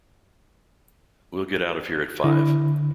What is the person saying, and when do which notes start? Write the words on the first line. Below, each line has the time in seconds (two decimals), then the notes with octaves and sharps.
We'll get out of here at five.
2.24 D3 E4